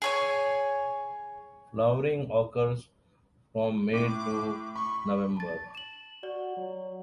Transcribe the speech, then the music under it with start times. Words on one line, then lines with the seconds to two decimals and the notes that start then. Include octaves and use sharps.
Flowering occurs from May to November.
0.02 G#4 C#5 G#5
3.93 A2 D6
4.76 B5 C#6
5.37 A5 A6
5.75 E7 F#7
6.23 F#4 D5
6.57 F#3